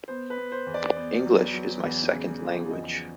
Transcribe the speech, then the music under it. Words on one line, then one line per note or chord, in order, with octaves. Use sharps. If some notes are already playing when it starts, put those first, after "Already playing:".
English is my second language.
B3 C5
B4
B3
C5
E2
D5
B3
F#3
F#3
E2
C#3
F3
E2 D#5